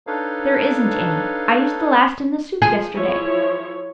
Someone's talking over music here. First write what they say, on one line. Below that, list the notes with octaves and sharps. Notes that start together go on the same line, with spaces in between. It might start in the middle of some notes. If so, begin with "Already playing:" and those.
"There isn't any; I used the last in the soup yesterday."
D4 D#4 A4 B4 C#5 F5
F3 G#4
F3 E4 C#5